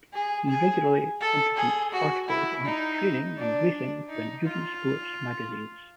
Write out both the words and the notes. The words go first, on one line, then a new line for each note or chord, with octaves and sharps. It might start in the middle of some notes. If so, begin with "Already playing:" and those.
He regularly contributes articles on training and racing for endurance sports magazines.
G#4
G#4
A4
G#4
F#4
E4
D#4
D4
D#4
F4